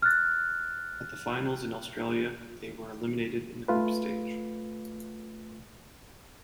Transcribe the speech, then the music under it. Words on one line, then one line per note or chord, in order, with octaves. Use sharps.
At the finals in Australia, they were eliminated in the group stage.
F6 F#6 A6
A3 F4 B4